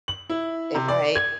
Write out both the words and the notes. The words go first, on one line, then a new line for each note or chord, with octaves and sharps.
if I
F#7
E4
C3
D5
G#6